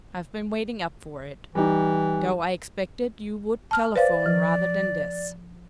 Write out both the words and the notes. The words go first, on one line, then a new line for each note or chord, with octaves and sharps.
I've been waiting up for it--though I expected you would telephone rather than this.
E3 G3 D#4
A5 F6
B4 C5 D5 F5
F3